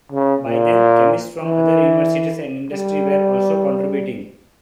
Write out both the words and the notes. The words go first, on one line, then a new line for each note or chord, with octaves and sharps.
By then, chemists from other universities and industry were also contributing.
C#3
A#2
E3
G3